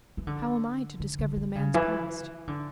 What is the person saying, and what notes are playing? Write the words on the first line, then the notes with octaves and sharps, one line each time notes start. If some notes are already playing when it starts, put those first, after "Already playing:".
"How am I to discover the man's past?"
E3
D3
D3
D3
D3
C#3
E3
D3